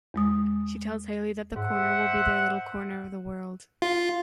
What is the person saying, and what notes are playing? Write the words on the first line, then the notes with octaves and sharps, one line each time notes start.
She tells Haley that the corner will be their little corner of the world.
E2 G#3 D#6
G#2 C5 E5 F#5
F4